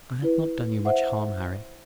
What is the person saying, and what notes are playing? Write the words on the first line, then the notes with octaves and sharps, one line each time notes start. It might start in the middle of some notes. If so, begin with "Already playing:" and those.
I had not done you much harm, Harry.
E4 B4
C5 E5 F#5